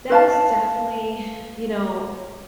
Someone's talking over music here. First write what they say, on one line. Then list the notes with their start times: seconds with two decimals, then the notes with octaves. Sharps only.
that is definitely you know,
0.10 B4 F5 A5